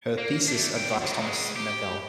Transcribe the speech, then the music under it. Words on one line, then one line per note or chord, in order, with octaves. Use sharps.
Her thesis advisor was Thomas Nagel.
A#3
A3 D4
A#2 G5
D3 D#3
C#3 G#3
G4